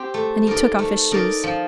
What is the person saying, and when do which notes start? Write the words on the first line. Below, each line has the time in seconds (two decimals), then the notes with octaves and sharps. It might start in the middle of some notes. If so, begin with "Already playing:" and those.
And he took off his shoes.
Already playing: C4 G4
0.14 A3
0.47 D#4 A#4 D5
0.79 A3
1.11 D#4 A#4 D5
1.44 F3